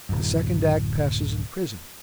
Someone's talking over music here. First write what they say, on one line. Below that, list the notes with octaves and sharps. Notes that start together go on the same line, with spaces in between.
The second act passes in prison.
D1 F#2